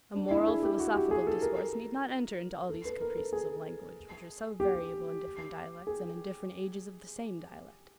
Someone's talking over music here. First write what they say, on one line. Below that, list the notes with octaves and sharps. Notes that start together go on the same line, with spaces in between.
A moral, philosophical discourse needs not enter into all these caprices of language, which are so variable in different dialects, and in different ages of the same dialect.
D4
E4
G#4
G4
F#4
G4
G#4
A4
A#4
A4
B4
A#4
A4
G#4
G4
G#4